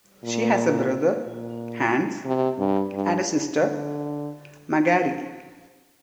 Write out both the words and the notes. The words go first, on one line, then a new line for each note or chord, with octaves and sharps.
She has a brother, Hans, and a sister, Magali.
A#2
A#2
C3
G2
G2
D3